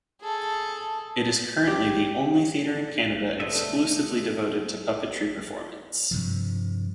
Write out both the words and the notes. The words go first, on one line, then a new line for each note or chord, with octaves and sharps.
It is currently the only theatre in Canada exclusively devoted to puppetry performance.
G#4 A4
G4
B2 D3 A3 C4 D#5 E5
G2 C3 F3